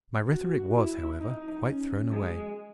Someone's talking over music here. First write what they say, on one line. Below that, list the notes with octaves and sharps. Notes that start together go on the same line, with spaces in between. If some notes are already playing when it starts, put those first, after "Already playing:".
My rhetoric was, however, quite thrown away.
F#4
E4
D#4
C#4
G#3